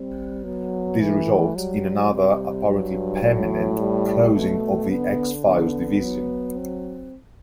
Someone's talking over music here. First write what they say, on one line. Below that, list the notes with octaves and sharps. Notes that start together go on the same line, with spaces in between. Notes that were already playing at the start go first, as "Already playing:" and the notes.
This results in another, apparently permanent, closing of the X-Files division.
Already playing: G3 C4
F#3 B3
E3 A3
F#3 G3
C3 G3
G2 F#3
A2
G3
B2 A3
D3 B3
D3 B3
F#3
C4